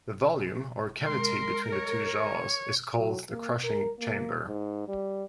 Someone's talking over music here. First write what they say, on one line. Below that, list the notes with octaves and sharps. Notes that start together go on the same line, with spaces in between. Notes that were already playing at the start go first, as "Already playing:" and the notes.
The volume or cavity between the two jaws is called the crushing chamber.
G#3 A#4 C6
C#5
F#3
A#3
A#4
A#3
G#2
G3